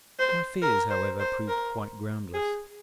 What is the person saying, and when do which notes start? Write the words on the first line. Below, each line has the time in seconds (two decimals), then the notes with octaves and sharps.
My fears, however, proved quite groundless.
0.19 C5
0.62 A#4
0.90 C5
1.19 C5
1.48 A#4
2.34 G#4